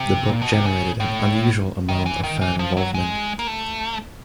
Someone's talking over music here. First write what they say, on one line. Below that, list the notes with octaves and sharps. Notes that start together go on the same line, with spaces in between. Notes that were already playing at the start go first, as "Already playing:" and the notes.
The book generated an unusual amount of fan involvement.
Already playing: C3
A#2
B2
C3
C#3
A2
D#3
E3
D#3
E3
F3
F#3
G#3
A#3
A3